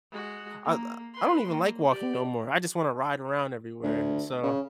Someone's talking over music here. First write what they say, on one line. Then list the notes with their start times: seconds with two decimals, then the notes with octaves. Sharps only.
I, uh, I don't even like walking no more, I just wanna ride around everywhere, so
0.11 G#3 F#4
0.64 A#3
1.14 B4 C6
1.48 A#3
1.89 G4 D5
3.83 D2
4.43 C#3